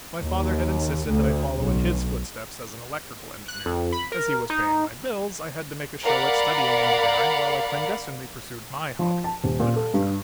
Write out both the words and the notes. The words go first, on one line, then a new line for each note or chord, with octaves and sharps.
My father had insisted that I follow in his footsteps as an electrical engineer; as he was paying my bills, I had to make a show at studying engineering while I clandestinely pursued my hobby, literature.
D#2
D2
B1
F#6
F2
B5
A#4
D#4
A#4 D5 F5 F#5 B5
F3
A5
D#1
A#2
A4
G2